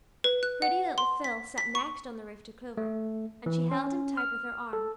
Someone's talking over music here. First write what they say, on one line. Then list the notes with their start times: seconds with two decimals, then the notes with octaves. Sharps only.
Pretty little Phil sat next on the roof to Clover, and she held him tight with her arm.
0.24 B4
0.43 F#6
0.62 F#5
0.98 C6
1.24 B6
1.58 B6
1.75 C#6
2.77 A3
3.46 E3
3.72 C#4
4.17 F6
4.73 A4